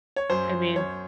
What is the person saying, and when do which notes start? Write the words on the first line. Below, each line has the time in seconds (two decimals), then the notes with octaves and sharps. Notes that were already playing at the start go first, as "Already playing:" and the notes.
I mean
0.16 C#5
0.30 F#2 C5
0.76 F#2 C#5